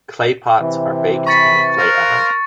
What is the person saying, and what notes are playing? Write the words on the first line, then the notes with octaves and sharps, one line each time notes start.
Clay pots are baked in a clay oven.
C3 E3
B5 C#6 A6 C#7
A#4 C5 F5 F#6